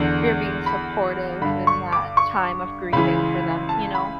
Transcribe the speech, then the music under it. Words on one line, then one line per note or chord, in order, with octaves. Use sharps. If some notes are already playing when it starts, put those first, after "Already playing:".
you're being supportive in that time of grieving for them, you know?
Already playing: E2 D3
B5
G2 D3 B5
C#6
D6
C#6
C#2 C#3 E3 B5
A5
B5